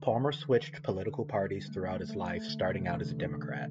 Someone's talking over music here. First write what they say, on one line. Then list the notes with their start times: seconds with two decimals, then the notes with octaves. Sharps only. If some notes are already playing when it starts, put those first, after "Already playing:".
Palmer switched political parties throughout his life, starting out a Democrat.
Already playing: D3
0.09 E3
0.30 D3
1.08 D3
1.39 G3
1.68 A3
1.88 A3
2.09 A3
2.29 A3
2.49 D3
2.69 C3
2.89 D3
3.04 E3
3.19 D3